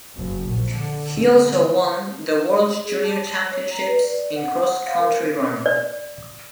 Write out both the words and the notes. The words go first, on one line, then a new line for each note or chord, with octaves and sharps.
He also won the World Junior Championships in cross country running.
F#1
A#1
D3
D3
G#4
A5
C#5
A#5
B4
D5
F#5
F5
A#4
D5